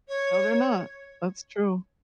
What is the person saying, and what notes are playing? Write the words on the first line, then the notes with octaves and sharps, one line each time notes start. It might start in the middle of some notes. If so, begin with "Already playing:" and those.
No, they're not. That's true.
C#5